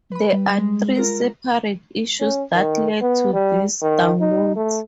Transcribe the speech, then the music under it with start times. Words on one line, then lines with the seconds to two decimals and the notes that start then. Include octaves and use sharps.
There are three separate issues that led to these downloads.
0.12 B4 B5
0.33 G3
0.58 G#3
0.95 F4 A#4 A#5
2.20 C#4
2.54 D#3
3.02 B3
3.33 G3
3.82 D#3
4.20 D#4
4.56 A3